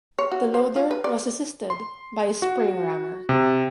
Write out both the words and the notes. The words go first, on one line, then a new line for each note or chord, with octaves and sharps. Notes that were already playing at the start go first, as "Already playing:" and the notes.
The loader was assisted by a spring rammer.
C#5
F#4
C5
F4
B4
D5
C6
F#4
C3